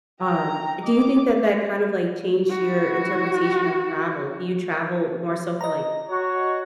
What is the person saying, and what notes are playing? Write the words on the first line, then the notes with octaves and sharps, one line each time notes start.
Um, do you think that that kind of like changed your interpretation of travel? Do you travel more so for like-
G5 A#5
D#5 D6
E4 F#4
D#5 A#5
F#4 C#5